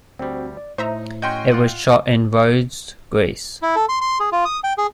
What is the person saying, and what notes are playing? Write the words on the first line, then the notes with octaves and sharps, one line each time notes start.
It was shot in Rhodes, Greece.
D2 G3 C4 F#4
D5
A2 D#4 C5 E5 A#5
C#4 F#4 D#5 G5 C6 G6
F4 F#5
E4
A4
C6
C6
G#4
F4
D#6
G5
G#4